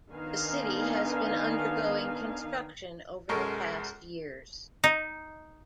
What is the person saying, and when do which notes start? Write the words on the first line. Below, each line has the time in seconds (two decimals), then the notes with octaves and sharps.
The city has been undergoing construction over the past years.
0.11 D#3 B3 D4 D#4 F5 G#5
3.29 B1 F#2 G#3 A4 A#4 C#6
4.84 D#4